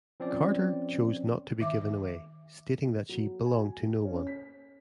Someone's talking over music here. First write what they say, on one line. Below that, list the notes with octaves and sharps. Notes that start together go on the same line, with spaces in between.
Carter chose not to be given away, stating that she "belonged to no one".
F3 C4 C#4 D5
D#3 E5 D6
F#3
G#5
C#4
B6